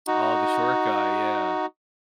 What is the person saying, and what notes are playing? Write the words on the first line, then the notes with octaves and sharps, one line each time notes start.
Oh, the short guy, yeah.
D#4 F#4